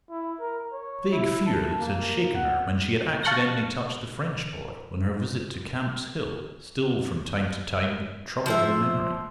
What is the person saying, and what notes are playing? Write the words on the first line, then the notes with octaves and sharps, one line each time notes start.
The vague fear that had shaken her when she had accidentally touched the French boy, on her visit to Camp's Hill, still from time to time troubled her memory.
E4
A#4
C#5
E4
A5
A#3
F#5
F5 A5 C#6 F#6 G6 A#6
F3 C5 E5